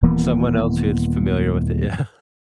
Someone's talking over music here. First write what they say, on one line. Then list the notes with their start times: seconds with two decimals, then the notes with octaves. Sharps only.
Someone else who's familiar with it. yeah.
0.02 D#1 E3 A#3 B3